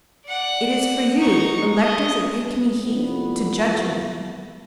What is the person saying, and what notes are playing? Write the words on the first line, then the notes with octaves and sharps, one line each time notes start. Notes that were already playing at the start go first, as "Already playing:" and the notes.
"It is for you, electors of Hickney Heath, to judge me."
D5 F#5
D#4 C#6
D#5
C2 F2 B3